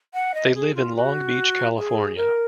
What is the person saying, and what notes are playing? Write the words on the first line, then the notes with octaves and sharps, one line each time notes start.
They live in Long Beach, California.
F#5
D#5
G#4
F4
F#4
G#4
A#4